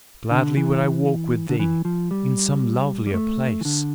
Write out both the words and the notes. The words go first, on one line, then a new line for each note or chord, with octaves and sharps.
Gladly would I walk with thee--in some lovelier place!
D3
E3
D3
E3
F3
G3
G3
A3
E3
D3